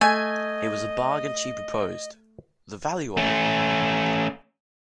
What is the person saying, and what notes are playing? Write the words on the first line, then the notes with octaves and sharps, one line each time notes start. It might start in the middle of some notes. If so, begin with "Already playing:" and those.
It was a bargain she proposed — the value of it!
A3 D#5 G#5
A3 C#4